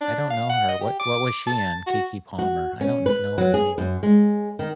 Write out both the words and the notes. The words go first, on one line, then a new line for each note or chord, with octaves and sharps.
I don't know her. What what was she in? Keke Palmer. I don't kn know her name.
D4
F5
F#5
D#5
G4
D6
A5
F#4
F#4
C#4
B4
F#3
G#4
F#2
G#3
D#3